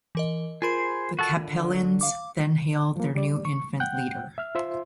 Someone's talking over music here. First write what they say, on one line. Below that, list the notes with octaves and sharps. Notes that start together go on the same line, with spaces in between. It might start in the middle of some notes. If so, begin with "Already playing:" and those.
The Capellans then hail their new infant leader.
E3 A#4 D#5
F4 G#4 A#4 C5 B5
F#4 A4 A5
D3
F5 D6
F3 A#3
G3 D5
C#6
F#5 G5 F#6 G6
E5 F6
F4 C5 E5 C6